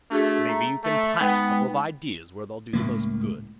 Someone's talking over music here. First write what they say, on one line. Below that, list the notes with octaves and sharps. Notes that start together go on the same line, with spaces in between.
Maybe you can plant a couple of ideas where they'll do the most good.
A3 D4 F#4 G#4
A#5
A3
G#3 B3 D#4 G5
C#2 A2 A#3